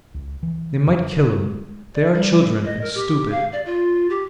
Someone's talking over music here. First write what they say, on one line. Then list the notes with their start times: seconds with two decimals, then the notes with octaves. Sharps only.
They might kill him. They are children and stupid.
0.14 C#2
0.43 E3
0.87 F2
1.42 G#3
1.95 D5
2.14 G3
2.65 D#5
2.81 A#4
2.95 G4
3.31 F5
3.53 D5
3.66 F4
4.10 G4